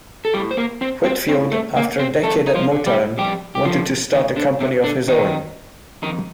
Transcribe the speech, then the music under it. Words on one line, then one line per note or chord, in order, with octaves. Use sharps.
Whitfield, after a decade at Motown, wanted to start a company of his own.
A4
A2 G3 G4
C5
A#3 A#4
C4 C5
C4 C5
A2 C4 C5
A3 A4
A#3 A#4
C4 C5
F2 A3 A4
D#4
F3 F4
D3
G3 G4
F2 G3 G4
G4
D3 F3 F4
A2 D#3 D#4
D3 D4
C3 C4
D3 D4
A2 D#3 D#4
F2 D#3 D#4